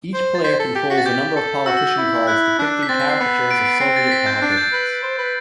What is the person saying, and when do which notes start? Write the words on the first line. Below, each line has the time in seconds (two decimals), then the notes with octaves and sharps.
Each player controls a number of politician cards depicting caricatures of Soviet politicians.
0.14 C5
0.35 A6
0.44 C5 B6
0.60 A4
0.75 G4
0.90 F#4 B6
0.98 A6
1.05 G4 G6
1.36 A4
1.66 F#4 E6
1.77 E6
1.87 E6
1.97 E4
2.27 E4 F#6
2.59 D4
2.83 B6
2.89 C4 A6
3.00 B6
3.10 C7
3.20 B3
3.51 D7
3.58 C7
3.65 D7
3.80 C4 C7
3.96 A6
4.07 A6
4.12 B6
4.26 G6
4.34 C4
4.42 D4 A6
4.52 A6
4.57 G6
4.73 B4
5.03 C5
5.18 B4